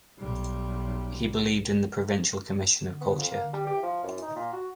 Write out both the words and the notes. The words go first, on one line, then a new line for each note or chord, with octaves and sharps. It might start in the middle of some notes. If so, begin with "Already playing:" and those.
He believed in the Provincial commission of culture.
B1 G3
B3
F2
A#3
G3
G4
F3
F#2
D#4
A#2
F#4